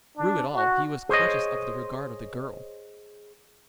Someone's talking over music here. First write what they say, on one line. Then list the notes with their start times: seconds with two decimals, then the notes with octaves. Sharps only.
Through it all he was conscious of the regard of the girl.
0.17 D4
0.55 F#4
1.09 G#4 C5 C#5 D#5